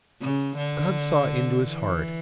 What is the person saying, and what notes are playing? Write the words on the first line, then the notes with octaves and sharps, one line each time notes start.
God saw into his heart.
C#3
D3
E3